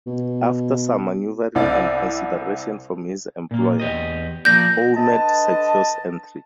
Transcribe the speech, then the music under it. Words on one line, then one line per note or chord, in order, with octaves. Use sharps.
After some maneuvering and consideration from his employer, Ouimet secures entry.
B2
C2 C4 E4 D5 F5
A#2 A#3
E2 G4 D#5
F3 A#3 D5 G6 A#6
D3 B4 D#5 A5